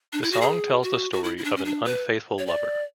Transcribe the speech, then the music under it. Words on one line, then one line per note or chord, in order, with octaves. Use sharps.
The song tells the story of an unfaithful lover.
D4
E4
F#4
G#4
F#4
F#4
E4
E4
D4
C#4
D4
B4
C#5
D5